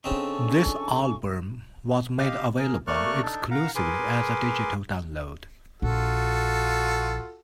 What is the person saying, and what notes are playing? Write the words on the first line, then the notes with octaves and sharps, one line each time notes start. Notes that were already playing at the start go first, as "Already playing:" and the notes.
This album was made available exclusively as a digital download.
C#3 C4 D4 D#4 A4 G#5 C#6
G4 D#5 F5
G#4 A#4
A3 A#3 D5 C#6 F6 F#6
D4 D#4 A4
A#4 F5 F#5 A#5
G#4 A#4 B4 G#5 C6 D6
A#1 F4 F#4 A4